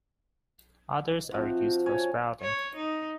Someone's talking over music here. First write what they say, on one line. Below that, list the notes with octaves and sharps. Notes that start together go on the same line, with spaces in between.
Others are used for sprouting.
C3 F3 F#4
C#4 C#5 G#5 A5
C#5
D#4